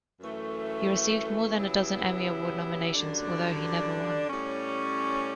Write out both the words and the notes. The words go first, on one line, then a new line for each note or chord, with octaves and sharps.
He received more than a dozen Emmy Award nominations, although he never won.
F#2 E3 A3
C#3 F#3 B3 E4 G4
F#2 D3 G3 D4
A2 G3 C#4